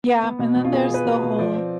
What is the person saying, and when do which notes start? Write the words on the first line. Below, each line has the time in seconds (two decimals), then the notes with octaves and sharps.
Yeah, and then there's the whole
0.06 B3
0.23 B3
0.39 B2
0.56 B2
0.64 F4
0.73 B3 G#4
0.89 B3 B4
1.06 B2
1.23 B2
1.39 F3 D5
1.55 C4